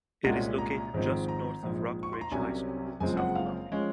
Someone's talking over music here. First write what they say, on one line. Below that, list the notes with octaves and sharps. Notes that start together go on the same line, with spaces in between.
It is located just north of Rock Bridge High School in South Columbia.
C2 A#2 G#3 C#4 F#5
A#5
G#1 G#2 F3 C4 D#4
A#5
A#1 G#2 F3
C#6
C6
A#5
C2 C3 F#3 C#4 G#5
F#1 F#2 F3 G#3 C4 G#5
F#5
F5
F3 G#3 C#4